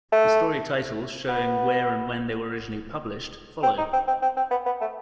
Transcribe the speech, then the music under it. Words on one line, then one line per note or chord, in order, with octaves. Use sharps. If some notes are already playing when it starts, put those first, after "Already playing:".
The story titles, showing where and when they were originally published, follow.
A3
B3
C4
D#4
C4
C4
C4
C4
B3
B3
A3